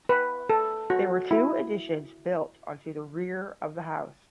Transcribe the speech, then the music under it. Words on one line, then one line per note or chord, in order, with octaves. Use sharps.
There were two additions built onto the rear of the house.
B4
A4
F#4
E4